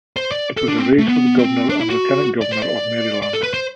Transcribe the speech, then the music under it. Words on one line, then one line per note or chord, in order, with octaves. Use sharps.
It was a race for the Governor and Lieutenant Governor of Maryland.
C5
D5
A4
D4
C4
A3
B3
C4
D4
E4
F#4
D5
C5
D5
D5
A4
B4
C5